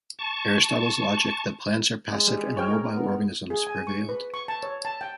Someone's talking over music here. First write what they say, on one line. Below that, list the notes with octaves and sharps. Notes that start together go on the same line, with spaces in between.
Aristotle's logic that plants are passive and immobile organisms prevailed.
A5 C#6
G#3
G3
C#5 G5 F6
A#4
B3
G#4
G#5
C#6
B4
C#6
A5
C#5
A5
G5